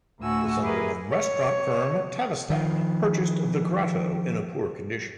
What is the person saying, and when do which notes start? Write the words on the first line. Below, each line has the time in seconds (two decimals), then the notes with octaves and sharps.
The Sunderland restaurant firm, Tavistock, purchased The Grotto in a poor condition.
0.20 D2 A2 F#4 G#5 E6
0.62 E4 G4 G#4 A#4 B4 D#5
1.12 C#5
2.50 D#3 F3